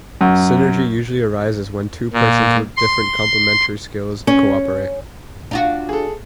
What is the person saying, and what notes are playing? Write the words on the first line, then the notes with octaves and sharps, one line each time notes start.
Synergy usually arises when two persons with different complementary skills cooperate.
F#2
A#2
C6
C#4
D4 F4 F#4
G#4 A4